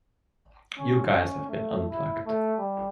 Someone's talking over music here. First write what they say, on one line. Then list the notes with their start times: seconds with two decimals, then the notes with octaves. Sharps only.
You guys have been unplugged!
0.78 C#4
1.17 C#4
1.49 A3
1.89 E4
2.26 A3
2.59 G3